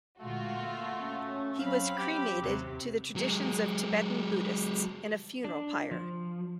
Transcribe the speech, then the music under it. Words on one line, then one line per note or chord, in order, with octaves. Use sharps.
He was cremated to the traditions of Tibetan Buddhists in a funeral pyre.
A#2 D3 G#3 A3 F4 F#4
A#3
C#4
F#3 C4 F5 B5
G4
D#2 C3 F#3
F#3 G#3
D4
F3